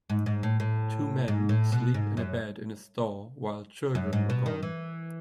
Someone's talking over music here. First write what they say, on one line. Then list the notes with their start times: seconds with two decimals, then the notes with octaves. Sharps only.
Two men sleep in a bed in a store while children look on.
0.10 G#2
0.26 G#2
0.43 A2
0.60 A2
1.28 G#2
1.49 A2
1.72 B2
1.94 G#2
2.17 F#2
3.95 F#2
4.13 G#2
4.30 B2
4.46 D#3
4.63 E3